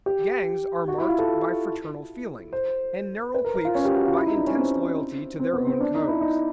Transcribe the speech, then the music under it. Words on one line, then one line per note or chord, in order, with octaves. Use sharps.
Gangs are marked by fraternal feeling, and narrow cliques by intense loyalty to their own codes.
G4
F#4
E4
F4
A4
C5
B4
A#4
A#4
F4
C#4
G4
F#4
F4
E4
D#4
D4
C#4
C4
C4
B3
C4
D4
D#4
E4
D#4